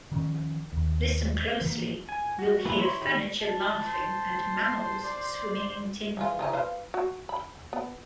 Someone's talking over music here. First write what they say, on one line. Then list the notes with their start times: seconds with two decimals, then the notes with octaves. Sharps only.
Listen closely, you'll hear furniture laughing and mammals swimming in tinfoil.
0.12 D#3 F3 B3 C#4
0.73 D#2
1.61 E3 F3 A#3
2.09 G#5
2.39 F#4
2.65 F3 G#3 A#3 E4 B4
2.78 E4 C#5 B5 C6
3.01 D#3 G4 D#5 B5
3.41 A5
3.85 C5
5.03 D5
6.17 E3 G#3 F4
6.39 D#3 E3 D#4
6.53 B4 C5 F5
6.94 F#4
7.29 B5
7.73 B3